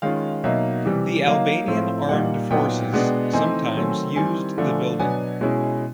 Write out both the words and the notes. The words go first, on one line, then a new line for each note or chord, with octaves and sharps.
The Albanian Armed Forces sometimes used the building.
D#3 G#3 C#4 F4 F5
B2 F#3 A#3 D#4 E5
C3 E3 G3
F#3 A#3 D#4 F5
A2 F3 A3 C4 E4
A#2 G3 A#3 D#4 F#5
A#2 F#3 B3 D#4 G5
B2 G#3 B3 D4
E3 A3 C4 D#4 G#5
D#3 F#3 A3 C4
D#3 G3 C4 E4 G#5
D3 F3 A3 D4
B2 F#3 B3 D4 G#5
B2 G#3 C#4 E4